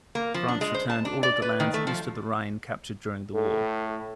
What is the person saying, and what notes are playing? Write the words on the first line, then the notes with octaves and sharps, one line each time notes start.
France returned all of the lands east of the Rhine captured during the war.
A#3
F3
D4
G#3
C5
A5
D4
D5
B4
D#3
A3
F3
A2 A4